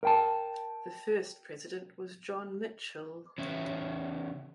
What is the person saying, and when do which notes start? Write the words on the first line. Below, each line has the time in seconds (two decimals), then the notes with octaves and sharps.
The first president was John Mitchell.
0.03 A#4 G5 A5
3.38 C#3 E3 C#4 E5